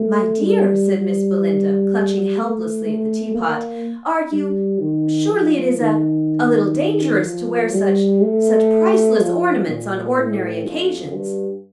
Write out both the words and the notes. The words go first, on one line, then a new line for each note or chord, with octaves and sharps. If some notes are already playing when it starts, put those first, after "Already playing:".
"My dear," said Miss Belinda, clutching helplessly at the teapot, "are you--surely it is a--a little dangerous to wear such--such priceless ornaments on ordinary occasions."
Already playing: A3
G3
G3
A3
A3
A#3
G3
D#3
F3
D#3
F3
G3
A3
F3
A#2
A2
F2
G2